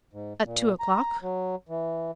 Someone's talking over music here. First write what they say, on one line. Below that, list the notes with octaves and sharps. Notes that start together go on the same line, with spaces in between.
"At two o'clock."
G#2
A#2
A#5
F#3
E3